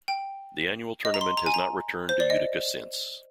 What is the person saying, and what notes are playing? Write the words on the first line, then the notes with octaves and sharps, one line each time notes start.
The annual tournament has not returned to Utica since.
G5
D#5
A#5
C6
A#5
G#5
A#5
C5
D5
D#5